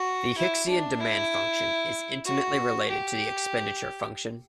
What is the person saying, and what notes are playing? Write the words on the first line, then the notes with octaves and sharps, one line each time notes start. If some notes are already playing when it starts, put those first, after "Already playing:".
The Hicksian demand function is intimately related to the expenditure function.
Already playing: F#4
E4
D4
E4
F#4
G4